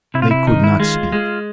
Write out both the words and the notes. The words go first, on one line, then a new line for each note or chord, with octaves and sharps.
They could not speak.
C3 E4
F4
E4
D#3 D#4
E4
G#3 F4
G#3